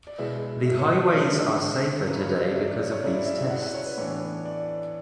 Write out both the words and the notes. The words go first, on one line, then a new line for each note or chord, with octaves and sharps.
The highways are safer today because of these tests.
D5
B2 G#3 B3 E4 E5
E5
C#5
C#5
D5
B4
D3 G#3 B3 D4 C#5
C#3 F#3 C#4 B4
C#5
D5
E5
D5
C#5
C#5
C#3 F#3 C#4 E4 D5
D5
E5
E5
F#5
F#5
C#5
B4
A2 E3 B3 D4 C#5
D5